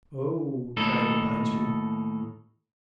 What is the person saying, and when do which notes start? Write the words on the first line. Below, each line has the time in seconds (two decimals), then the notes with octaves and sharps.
"Oh!" cried the pine tree.
0.77 D#2 A2 D#4 A4